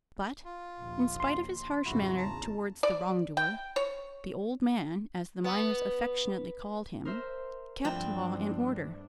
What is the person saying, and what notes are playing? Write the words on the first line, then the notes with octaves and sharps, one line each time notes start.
But, in spite of his harsh manner towards the wrong-doer, 'the old man,' as the miners affectionately called him, kept law and order.
F4
A#1 D#2
C6
G#1 F2 C#3 E4 F#4
E2 A5 A#5
D5
G5
C#5
B3
A#4 C5 E5
G2 F3 A3 B3 C4 D4